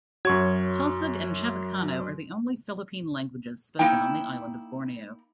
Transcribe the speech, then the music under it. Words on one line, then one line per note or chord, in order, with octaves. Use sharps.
Tausug and Chavacano are the only Philippine languages spoken on the island of Borneo.
F#2 F#3 C#6 G#6
A#3 D#4 E4 G5